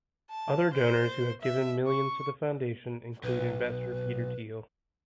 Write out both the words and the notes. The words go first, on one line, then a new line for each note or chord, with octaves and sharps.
Other donors who have given millions to the Foundation include investor Peter Thiel.
A5
C5
E5
C#6
B1 B4